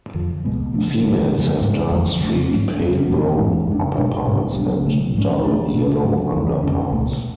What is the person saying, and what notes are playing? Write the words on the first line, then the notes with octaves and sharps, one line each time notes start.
Females have dark-streaked pale brown upperparts and dull yellow underparts.
F2 D3 F3
C#2 B2 G#3 B3
C#3 F3 A3 D4
D2 D3 F3 A3
F#2 F3 B3
G#2 G#3 C#4
F2 D3 F3 A3
C#3 F#3 A3 D4
G#2 F#3 A3 D4
F#2 C#3 F#3 C#4
B2 A3 D4
G#2 F3 G#3 C#4
F#2 C#3 G#3 D4
B2 G#3 D4
G#2 G#3 B3 D4
B2 F#3 B3 D4
B2 F#3 A3
G#2 F3 G#3 C#4
B2 A3 D4
B2 A3 D4
G#2 F#3 A3 C#4
D2 D3 G#3
F2 D3 G#3 C#4
C#2 B2 A3